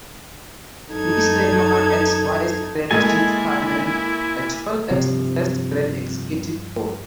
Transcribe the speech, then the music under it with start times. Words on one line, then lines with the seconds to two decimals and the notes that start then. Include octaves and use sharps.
Missemer as Vice Grand Chief Carman, as well as the first Grand Executive Board.
0.90 F#2 D#4 A4 G#6
2.91 A#2 G#3 E4 A4 D#5 G#5 A6
4.91 G2 C3 F3